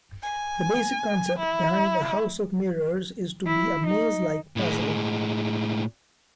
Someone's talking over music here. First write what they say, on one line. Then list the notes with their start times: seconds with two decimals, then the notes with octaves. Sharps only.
The basic concept behind a house of mirrors is to be a maze-like puzzle.
0.23 G#5
1.39 E4
3.47 E4
3.86 D#4
4.57 A2 G#3